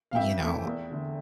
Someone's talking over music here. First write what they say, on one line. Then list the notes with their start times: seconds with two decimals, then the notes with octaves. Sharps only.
you know,
0.11 F5
0.15 F2 E5 G5
0.40 E3 A3
0.65 E2
0.90 D3 A3